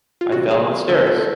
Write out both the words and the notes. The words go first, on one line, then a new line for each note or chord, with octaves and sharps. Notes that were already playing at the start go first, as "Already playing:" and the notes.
I fell in the stairs.
F4
C3 E3 G3 C4 F#4
G#4
D3 G3 B3 E4 A4
A4